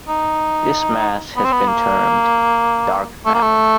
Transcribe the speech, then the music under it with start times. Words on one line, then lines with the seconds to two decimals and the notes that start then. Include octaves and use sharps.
This mass has been termed "dark matter".
0.09 D#4
1.36 B3
1.44 C4
1.52 B3
1.68 A#3
3.26 A3
3.34 A#3
3.42 A3